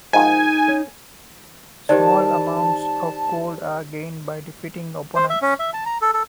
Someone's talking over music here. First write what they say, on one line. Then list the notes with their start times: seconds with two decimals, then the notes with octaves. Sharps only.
Small amounts of gold are gained by defeating opponents.
0.13 G#2 D#3 F3 D#4 G#5
0.69 C#4
1.89 D#3 G4 C5 D5 A5
5.16 C5
5.30 E5
5.42 C#4
5.59 E5
5.74 A5
5.86 A#5
6.02 A4
6.14 A4